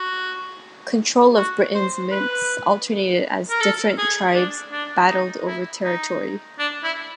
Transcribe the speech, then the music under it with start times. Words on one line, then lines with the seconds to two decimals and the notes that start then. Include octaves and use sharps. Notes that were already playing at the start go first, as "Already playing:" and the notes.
Control of Britain's mints alternated as different tribes battled over territory.
Already playing: F#4
1.37 F#4
1.75 C5
2.11 B4
3.50 A#4
3.61 A4
3.98 G#4
4.35 D4
4.72 D4
5.09 D#4
5.47 E4
5.84 D#4
6.59 D4
6.84 E4